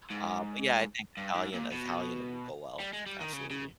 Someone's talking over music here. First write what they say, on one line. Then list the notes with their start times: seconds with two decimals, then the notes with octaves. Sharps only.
Uh, but, yeah, I think Italian Italian would go well, absolutely.
0.10 G#2
1.17 G2
1.35 G#2
1.54 A#2
1.72 B2
2.80 G3
2.93 G#3
3.06 G3
3.21 D#3
3.33 C#3
3.51 C#3